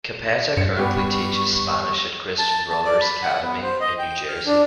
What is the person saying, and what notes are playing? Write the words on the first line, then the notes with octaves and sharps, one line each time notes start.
Cappetta currently teaches Spanish at Christian Brothers Academy in New Jersey.
G2 C#7
G3 B3 G4 C#6
A5
A5
D5
B5
F#5
B3
C5
D#5
G5
F6
D4